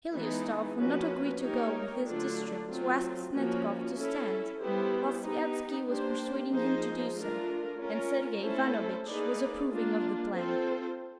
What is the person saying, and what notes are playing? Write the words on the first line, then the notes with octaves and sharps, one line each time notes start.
Hliustov would not agree to go with his district to ask Snetkov to stand, while Sviazhsky was persuading him to do so, and Sergey Ivanovitch was approving of the plan.
E3 G#3 B3 D#4
F3 A#3 C#4 F#4 B4
A#3 D#4 G4 A#4 C#5
D3 F#3 A3 D4 F4
F#3 A3 C4 F4
F3 A#3 C#4 F#4
C#4 E4 A4
G3 B3 E4 G4 C5
B3 D#4 G4
A#3 D4 G4 C5
F3 A#3 D#4 G#4 C5
A3 D4 F4 A#4
C#4 F4 A#4 C#5
A3 C#4 E4 A4 C5
A#3 D#4 G#4 B4 D5
A#3 D4 F4
C4 F4 A4 C5